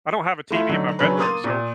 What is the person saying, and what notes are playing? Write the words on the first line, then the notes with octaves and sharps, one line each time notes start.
I don't have a TV in my bedroom, so,
A3 E4 F4 E5
D3 F#3 D#4 F#4
C#3 F#3 C#4 D4 B4
A#3 C6 D#6 A6 D#7
A#2